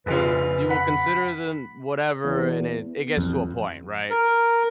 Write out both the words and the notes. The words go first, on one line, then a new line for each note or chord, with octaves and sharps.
'cause you will consider then" whatever, and it it gets to a point, right?
F1 A#1 F2 C#3 F4 B4
F#5 B5
E2
B3
A1 F2
A#4